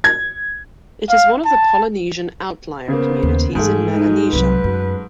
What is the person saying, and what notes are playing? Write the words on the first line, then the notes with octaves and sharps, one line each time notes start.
It is one of the Polynesian Outlier communities in Melanesia.
G#6
F5
A5
C#3 A#3 B3 C5
D#2
G#2 E3 A3 D4 G#4
G#3 D#4
C2 F#3 B4
F#2